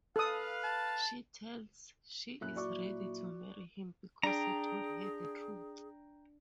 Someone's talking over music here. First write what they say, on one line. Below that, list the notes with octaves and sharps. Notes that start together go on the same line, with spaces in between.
She tells she is ready to marry him because he told her the truth.
A4 B4 F5 D#6
A5
F#2 A#2 F#3 E4 F#6
F#4 D5 C#6 D6
D4 G#4 G5 A#5